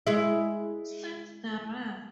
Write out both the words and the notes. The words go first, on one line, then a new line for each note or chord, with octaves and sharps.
Since the Rev.
G#3 E4